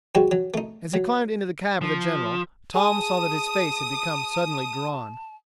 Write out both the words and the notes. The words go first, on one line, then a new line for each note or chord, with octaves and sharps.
As he climbed into the cab of the General, Tom saw that his face had become suddenly drawn.
G#2 G3 G#3 F#4
F#3
A3 D#4
F#3
F3
G#4 A5 D#6